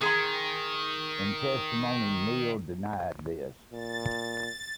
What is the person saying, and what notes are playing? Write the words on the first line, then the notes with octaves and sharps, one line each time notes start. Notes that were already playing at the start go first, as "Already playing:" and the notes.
In testimony, Neal denied this.
D#3 G#4 A#5 C6
A#2 A6